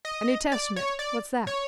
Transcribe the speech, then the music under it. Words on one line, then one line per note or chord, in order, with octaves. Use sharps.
"A New Testament; what's that?"
D#5
D5
C#5
D5
C#5